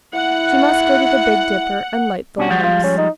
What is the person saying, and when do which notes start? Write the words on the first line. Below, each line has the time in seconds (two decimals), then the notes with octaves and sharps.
She must go to the Big Dipper and light the lamps!
0.15 E4 F#5
2.38 B2 C#4 D4 F#4
2.50 F3 G3 G#3 F#4
2.63 F4
2.83 C#4
2.98 D#4